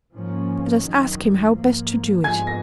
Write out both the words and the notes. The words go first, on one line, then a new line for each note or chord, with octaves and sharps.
Let us ask him how best to do it.'
G#2 F3 A#3 C#4
F#2 D#3 F#3
G#2 F3 A#3
G#2 F3 G#3 B3 G#5 G#6
A#6